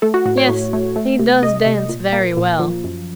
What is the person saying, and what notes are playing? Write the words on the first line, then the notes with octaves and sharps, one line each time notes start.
"Yes, he does dance very well."
A3 A4
F#4
A2 F#4
C#5
A2
A3
A3
C3
C3 D#5
C3
A#2
A#3
A#2
F3
F#2